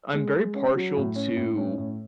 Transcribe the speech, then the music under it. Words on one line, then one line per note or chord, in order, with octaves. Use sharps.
I'm very partial to
G#3
G#3
C#4
F#3
A2
C#4
A2
C#4
A2